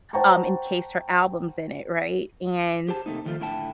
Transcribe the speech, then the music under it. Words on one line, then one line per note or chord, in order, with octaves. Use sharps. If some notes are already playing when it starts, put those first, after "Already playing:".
um, encased her albums in it, right? And,
C5 F#5 G5 A5 A#5 C#6
G4 G#4 C5 A5
C3 D#3 A3 A#3 D#4
D#3 F3 A3 F4
A2 D3 E4 G5 A5